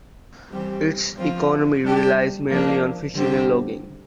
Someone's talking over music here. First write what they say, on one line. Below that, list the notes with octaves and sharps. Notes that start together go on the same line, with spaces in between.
Its economy relies mainly on fishing and logging.
E3 G3 C4 G4
F3 C4 F4
G3 D4 G4
F3 A#3 D4
D3 G3 C4 G4